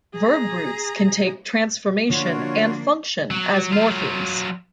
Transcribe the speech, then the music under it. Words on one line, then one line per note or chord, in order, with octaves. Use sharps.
Verb roots can take transformation and function as morphemes.
G#4 A#5
D3 F3 A#3 D4 F4 F#4 C#5
F#3
F#3 F4